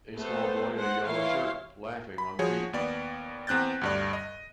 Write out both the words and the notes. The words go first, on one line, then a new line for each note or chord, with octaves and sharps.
A small boy in a yellow shirt laughing on the beach.
A3 B3 A4 C5
G#3 C5 F#5
E3 E4 C#5 F5 C6
B5
F3 F#4 G#4 C#5
D#2 B3 D5
E2 C4 F#6 G6 A6
D2 G2 D5
D#5